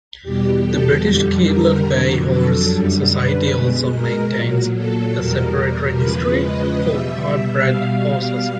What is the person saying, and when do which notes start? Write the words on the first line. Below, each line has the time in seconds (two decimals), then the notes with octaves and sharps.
The British Cleveland Bay Horse Society also maintains a separate registry for part-bred horses.
0.22 E2 B2 G3 G4
0.64 A4
1.06 F2 D3 G3
1.46 A#4
1.87 F2 D3 F#3
2.29 A4
2.69 F#2 D3 G3
3.11 B4
3.52 B2 G#3
3.94 A#4
4.34 A#2 F#3
4.75 A4
5.16 E2 B2 G3 A#4
5.98 E2 C#3 F3 G#3 B4
6.40 D#5
6.80 B2 G3 E5
7.22 E5
7.63 B2 G3 F5